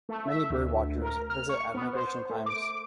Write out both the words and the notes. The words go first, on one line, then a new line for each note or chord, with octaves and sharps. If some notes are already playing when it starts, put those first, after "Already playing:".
Many Bird watchers visit at migration times.
A3
E5
D2
A#4
F6
C#6
B3
C5
A3
D6